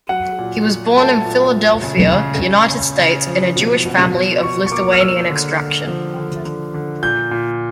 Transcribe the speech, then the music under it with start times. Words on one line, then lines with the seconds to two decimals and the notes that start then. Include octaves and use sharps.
He was born in Philadelphia, United States, in a Jewish family of Lithuanian extraction.
0.09 F#3 F#5
0.39 A#2
0.67 F#3
0.96 A3 A5
1.25 A#2
1.54 A3
1.83 C#3
2.12 C#3
2.40 C#3
2.69 C#3
2.98 C#3
3.27 F3
3.56 B2
3.85 B2
4.14 B2
4.43 B2 C#6
4.66 C#6
4.71 A#3 D6
4.92 F6
5.00 A#3 E6
5.29 D3
5.59 D3
5.87 F3
6.16 D3
6.45 D3
6.74 D3
7.03 A#2 G6
7.31 A#2